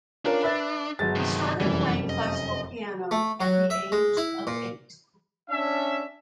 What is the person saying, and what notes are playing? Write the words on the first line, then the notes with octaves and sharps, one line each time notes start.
He started playing classical piano at the age of eight.
C#4 D4 F4 A#4
B4 E5 A6
G1 F#3 G#3 A6
C3 D#3
F1 F#2 E3 G3
D#5
A3
F#3
E5
G#3
E4
A#2
C#4 D4 E5